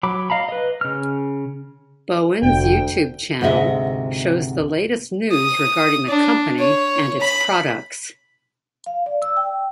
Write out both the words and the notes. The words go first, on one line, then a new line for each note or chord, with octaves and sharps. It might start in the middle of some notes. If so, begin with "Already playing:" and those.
Bowens YouTube channel shows the latest news regarding the company and its products.
F#3 B5 D6
D#5 F5 A#5 B5
B4 D#5
C#3 F6
F1 D2 G5
D2 G#2 C3 D#5 E5
D#6
D4
C#5
B5
F5
D5
E6
G5